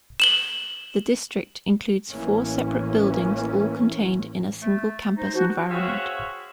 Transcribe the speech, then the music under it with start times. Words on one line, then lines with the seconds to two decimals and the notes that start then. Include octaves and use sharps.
The district includes four separate buildings all contained in a single-campus environment.
0.20 E7 F#7 G7
2.12 A1 E3 A#3 C#4
4.61 A3
5.16 D#4 C5
5.34 F3 F#4
5.69 C4 F#4 G#4 C#5 E5 F5